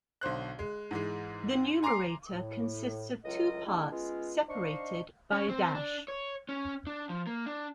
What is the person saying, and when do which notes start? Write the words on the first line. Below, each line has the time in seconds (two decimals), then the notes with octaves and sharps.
The numerator consists of two parts separated by a dash.
0.21 B1 D3 C5 F#6
0.59 G#3
0.91 G#2 E3 G#3
1.83 G#5 A#5 C6 D6 C7
2.29 A2
3.24 C#2 A2 F#3 F4 D#5
3.65 G3 G#3 A#3 D4 E4
3.92 G#3 B3 C#4 F4
4.49 D4 D#4 C5 D#5 F5 C#6
5.32 C#4
5.49 C4
5.75 D4
6.08 C#5
6.49 C#4
6.87 D4
7.09 F3
7.27 A#3
7.46 D4